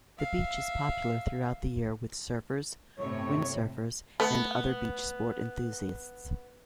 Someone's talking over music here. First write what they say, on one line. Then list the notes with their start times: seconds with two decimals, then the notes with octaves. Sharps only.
The beach is popular throughout the year with surfers, windsurfers, and other beachsport enthusiasts.
0.19 E5 F5
2.99 G1 A2 C3 C#5
4.20 A3 B3